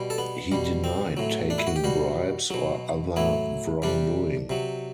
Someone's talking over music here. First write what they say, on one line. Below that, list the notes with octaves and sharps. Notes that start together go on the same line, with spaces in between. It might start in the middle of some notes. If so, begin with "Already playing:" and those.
He denied taking bribes or other wrongdoing.
Already playing: B2 G3
A4
B3
B2 G3
C4
A2 F#3
D4
E4
F#4
G4
B2 G3 F#4
B2 F#3
A2 F#3 E4
C3 G3 D4
C3 F#3